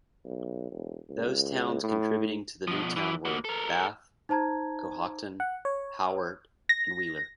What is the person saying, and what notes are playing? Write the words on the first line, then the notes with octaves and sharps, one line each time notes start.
Those towns contributing to the new town were: Bath, Cohocton, Howard, and Wheeler.
B1
E1
C#2
A2
B2 F3
E3
A#3 F#4
A4 A#4
D#4 C5 A5 A#5 G#6
F#5
C#5
A#6